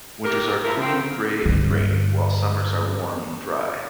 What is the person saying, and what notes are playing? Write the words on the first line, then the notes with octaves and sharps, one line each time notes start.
Winters are cool, gray and rainy, while summers are warm and dry.
G4 A#4
F3 E4 A#4
D#3 F3 C4
G2 D3